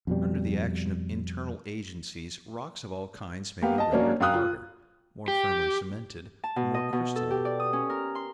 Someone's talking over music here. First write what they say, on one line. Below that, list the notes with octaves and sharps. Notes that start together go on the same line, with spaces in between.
Under the action of internal agencies rocks of all kinds may be rendered harder, more firmly cemented, and more crystalline.
F2 B2 G3
A#3 B3 G4 F5
D#5 A5
F#3 A#3 C#4 D4
F#2 F5 G5 D#6 F#6
F4
G4
A5
B2
D#5
B2
A4
G4
D5
D#6
C#4
A#4
C6